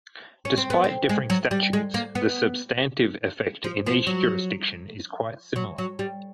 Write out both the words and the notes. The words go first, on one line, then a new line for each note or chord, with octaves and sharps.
Despite differing statutes, the substantive effect in each jurisdiction is quite similar.
C#4
C4
B3
C4
G#3
F#3
G3
G#3
A#3
B3
F3
F3
F#3
F#3
F#3
G3